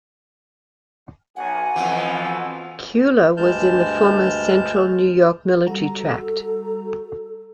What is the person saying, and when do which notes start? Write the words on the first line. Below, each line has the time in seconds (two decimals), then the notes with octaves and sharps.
Cuyler was in the former Central New York Military Tract.
1.36 B1 F#5 G#5
1.76 F2 B2 E3 F3 B3
3.37 D2 G2 G#3 A5 F6 G6
5.67 G3 F#4 A4 A#5